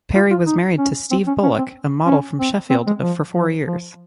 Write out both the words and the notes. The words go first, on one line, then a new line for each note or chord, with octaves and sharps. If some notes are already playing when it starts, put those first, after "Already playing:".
Perry was married to Steve Bullock, a model from Sheffield, for four years.
F4
F4
D#4
C#4
C4
C#4
C#4
C4
C#4
C4
C4
G#3
F3
F3
F3